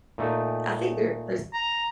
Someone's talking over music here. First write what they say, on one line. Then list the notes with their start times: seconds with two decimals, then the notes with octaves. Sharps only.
I think there those
0.18 A#2 A3 D#4
1.53 A#5